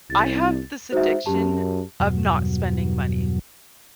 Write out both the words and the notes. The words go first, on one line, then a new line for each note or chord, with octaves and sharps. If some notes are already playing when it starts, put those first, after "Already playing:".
I have this addiction of not spending money.
C2 A6
G#3 D#4 F#4 C5 E5
F#2 G4 A5
E2 G2 B2 F#3